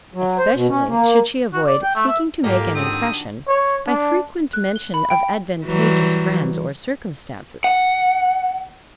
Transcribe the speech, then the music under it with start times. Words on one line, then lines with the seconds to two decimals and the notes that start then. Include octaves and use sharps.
Especially should she avoid seeking to make an impression by frequent mention of advantageous friends or circumstances.
0.14 F#3
0.38 C5
0.55 B2
0.69 C#4
0.88 A#3
1.53 F#4
1.67 D5
1.83 G5
1.95 A3
2.07 E5
2.44 G#2 A#3 F4 G4 A4 D#5
2.75 D#3 C4 D4 F#4 D#6
3.48 C#5
3.86 D4
4.53 F#6
4.76 G7
4.94 B5
5.10 G5
5.66 E3 F#3 G3
7.64 F#5